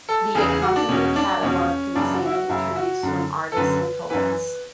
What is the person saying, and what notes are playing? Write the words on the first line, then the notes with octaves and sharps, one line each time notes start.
The accompanying catalogue contained tributes from artists and poets.
A4
E2 C#3 E3 G#4
G#4
F#4
D4
E2 B2 C#4
D4
E2 B2 C#4
F#2 C#3 E3 D4
F#4
E4
F#4
F#2 C#3 E3 E4
F#4
F#2 D3
A4
F#2 D3 B4
F#2 E3 B4